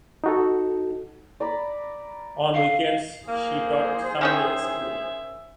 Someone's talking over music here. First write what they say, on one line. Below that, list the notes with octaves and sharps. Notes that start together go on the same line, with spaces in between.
On weekends she taught Sunday school.
D#4 F#4 A4
D5 A#5 B5
F5
A#3 G#4 C5
D#3 C#4 E5 G5